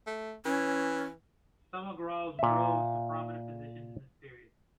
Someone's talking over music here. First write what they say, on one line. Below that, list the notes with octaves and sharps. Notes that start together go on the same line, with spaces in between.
Some Agrawals rose to prominent positions in this period.
A3
E3 C#4
A#2 E5